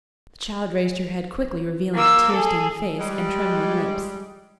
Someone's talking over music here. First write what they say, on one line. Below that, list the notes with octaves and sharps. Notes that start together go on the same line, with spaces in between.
The child raised her head quickly, revealing a tear-stained face and trembling lips.
A#3 E6
G#4 A4
G3 G#3